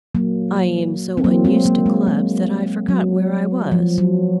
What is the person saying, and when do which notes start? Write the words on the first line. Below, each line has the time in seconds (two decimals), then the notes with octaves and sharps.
"I am so unused to clubs, that I forgot where I was."
0.15 F#3 A#3
1.17 C4
1.24 F#3 A#3
1.45 G#3 C4
1.65 F#3 A#3
1.86 G#3
2.07 G#3
2.88 F#3
3.72 F3
3.98 F#3